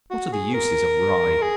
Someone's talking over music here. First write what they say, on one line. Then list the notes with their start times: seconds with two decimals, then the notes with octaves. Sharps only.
What are the uses of Rye?
0.11 F#4
0.33 G#4
0.54 A#4
1.42 G#4